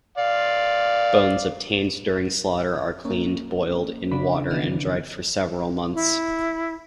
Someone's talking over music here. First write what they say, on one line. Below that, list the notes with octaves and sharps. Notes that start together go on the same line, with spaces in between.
Bones obtained during slaughter are cleaned, boiled in water and dried for several months.
D5 F5
A#3 C#4
C#3 D4 B5
D#3 E3 B3
E4